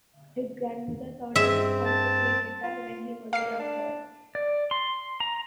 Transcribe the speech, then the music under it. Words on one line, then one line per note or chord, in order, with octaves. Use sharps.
His grandmother taught him how to play guitar when he was a young boy.
G2 C4 G#4 D#5 E5
A5
F4
A#3 F5 C7
D4
D5
C6
A#5